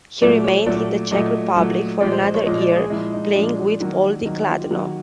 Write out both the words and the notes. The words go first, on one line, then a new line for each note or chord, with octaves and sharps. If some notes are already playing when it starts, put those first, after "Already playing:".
He remained in the Czech Republic for another year, playing with Poldi Kladno.
A#2 F#3 A3 D5
C#5
A#2 F#3 A3 D5
A#2 F#3 A3 D#5
A#2 F#3 A3
A#2 F3 G#3 D5
C5
C5
C#5
A#2 F3 G#3 D#5
D5
G#4
A#2 F3 G#3 E4
D#4
A#2 F3 G#3 D4
D#3 F#3 A#3
D#3 F#3 A#3 D#4
F4
G4
D#3 F#3 A#3 F#4